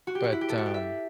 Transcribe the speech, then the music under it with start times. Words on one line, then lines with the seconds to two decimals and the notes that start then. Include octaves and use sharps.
but, um
0.07 F#4
0.15 G4
0.24 F#4
0.32 E4
0.41 G4
0.49 A4
0.58 F#4
0.66 G4
0.74 E5